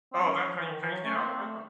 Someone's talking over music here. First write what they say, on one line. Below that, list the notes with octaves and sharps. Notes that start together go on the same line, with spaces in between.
Oh, that's how you change the algorithm?
C4
G3
F#3 C#4
F3
E3
D#3
E3
F#3
A3 C#4
A#3 C4
A3